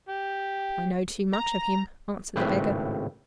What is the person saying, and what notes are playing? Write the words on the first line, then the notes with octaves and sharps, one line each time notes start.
"I know too much of him," answered the beggar.
G4
A#5
G#1 A2 C#3 C4 G4 B4